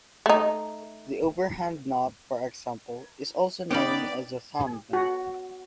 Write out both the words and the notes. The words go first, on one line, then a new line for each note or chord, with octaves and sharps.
The overhand knot, for example, is also known as the thumb knot.
A3 D#4
B3 C#4 D#4 D5 G5 B5
F#4